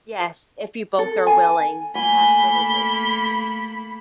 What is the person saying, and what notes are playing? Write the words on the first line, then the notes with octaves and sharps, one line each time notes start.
Yes, if you both are willing, absolutely.
A4
G#5
A3 A#3 A4 G#5 B5 G7